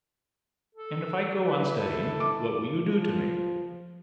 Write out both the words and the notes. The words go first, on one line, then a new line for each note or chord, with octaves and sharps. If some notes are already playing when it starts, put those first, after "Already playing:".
"And if I go on studying, what will you do to me?"
A4
E4 B4
A4
D6
F3